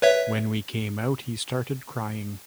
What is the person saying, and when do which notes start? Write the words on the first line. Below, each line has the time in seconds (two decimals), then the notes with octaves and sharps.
When we came out, he started crying.
0.02 B4 C#5 E5